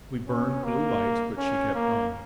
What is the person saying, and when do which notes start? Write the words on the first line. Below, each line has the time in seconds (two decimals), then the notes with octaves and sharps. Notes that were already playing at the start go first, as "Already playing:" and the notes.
We burned blue lights, but she kept on.
0.28 C#4
0.64 A#3
1.38 C#4
1.75 A#3